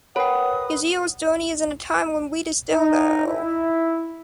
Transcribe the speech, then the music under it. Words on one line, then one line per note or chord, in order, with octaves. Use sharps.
Gaziel's journey is in a time when wheat is still low.
A#4 B4 C#5 F#5 G5 D#6
D#4
E4